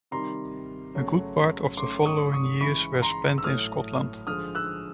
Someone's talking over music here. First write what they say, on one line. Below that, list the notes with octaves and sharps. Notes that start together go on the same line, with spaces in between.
A good part of the following years were spent in Scotland.
C3 D#3 G3 A#5 C6
C#3 F#3 A3
C#3 F#3 A3 C6 D6
C#6 D#6
C#6 D#6
C#3 E3 G#3 B5 C#6
A#5 C6
E6
A2 F#3 A3 D#6 F6
D3 F3 G#3 D#6 F6
E6 F#6